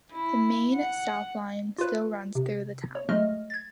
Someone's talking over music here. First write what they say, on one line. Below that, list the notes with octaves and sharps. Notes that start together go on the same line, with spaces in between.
The Main South Line still runs through the town.
E4
F#5
F4 B4
C3
C#5
F#3 G#3 A3 D#5 F6
G#6 A6